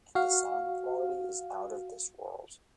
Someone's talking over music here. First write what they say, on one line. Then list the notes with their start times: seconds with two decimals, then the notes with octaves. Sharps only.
And the sound quality is out of this world.
0.15 F#4 F5